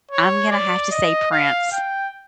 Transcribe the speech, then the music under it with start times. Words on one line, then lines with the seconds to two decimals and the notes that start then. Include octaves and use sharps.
I'm gonna have to say Prince.
0.11 C#5
0.51 D5
0.91 D#5
1.32 F5
1.72 G5